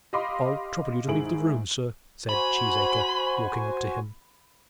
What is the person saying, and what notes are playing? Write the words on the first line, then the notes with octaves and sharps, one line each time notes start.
"I'll trouble you to leave the room, sir," said Cheesacre, walking up to him.
G4 D#5 F5 B5 C6 D6
G#2 D#3 E4 G#4 D7 F#7
F#4 C5 G#5 B5